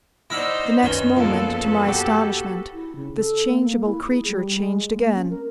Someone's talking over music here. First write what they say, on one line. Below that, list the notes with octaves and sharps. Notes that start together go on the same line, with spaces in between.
The next moment, to my astonishment, this changeable creature changed again.
D#4 E4 C5 D5 E5 F#5 F6 A#6
F#2 D#3 C#4 B4 G7
E2 F3 A#3 A4 B4
F#4 G4
E4
C#3
A4
A#3
A#3
E4
G#4
G3
G#3
A#3
C#4
A#4